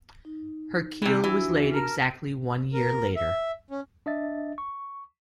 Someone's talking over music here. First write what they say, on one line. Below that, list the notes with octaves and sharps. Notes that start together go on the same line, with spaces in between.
Her keel was laid exactly one year later.
D#4
C3 E3
E3 D4 F#4 E6
A#4 A5 F6
A#4
E5
C#4
D4 D#5 E5 A6
C#6